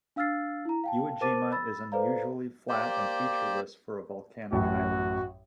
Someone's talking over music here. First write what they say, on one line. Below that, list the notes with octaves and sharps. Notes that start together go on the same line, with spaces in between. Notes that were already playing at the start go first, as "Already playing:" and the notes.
Iwo Jima is unusually flat and featureless for a volcanic island.
D4 F5 E6 F6 A6 C7
E4 A#5
F5 G5 A5
A#4 C5 A5 D6 A6 D#7
B5 E6 A6
A4 B4 C5 D5 F5 A#5
A#3 G4 C5 D5
A1 F#2 F#4